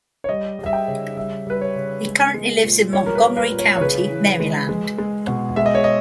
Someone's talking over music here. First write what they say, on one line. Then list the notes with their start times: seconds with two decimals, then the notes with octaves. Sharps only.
He currently lives in Montgomery County, Maryland.
0.24 C#5
0.29 G3 D#5
0.59 G3
0.66 E5
0.73 G5
0.88 C#3
1.17 G3 E5
1.47 G3 B4
1.61 C#5
1.75 C#3
2.06 G#3
2.34 G#3
2.64 A#2
2.93 G3 C#5
3.06 A#4
3.15 B4
3.22 G3
3.37 B4
3.52 A#2
3.59 C#5
3.77 C#5
3.80 C#3 B4
4.10 E3
4.40 G#3
4.69 G#3
4.98 G#3
5.27 B2
5.56 G#3 E5
5.66 D#5
5.75 C#5
5.84 D#5